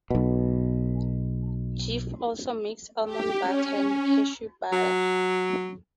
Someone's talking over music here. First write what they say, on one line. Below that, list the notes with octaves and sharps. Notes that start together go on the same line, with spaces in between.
Jif also makes almond butter and cashew butter.
B1 B2
G4
C#4
F#3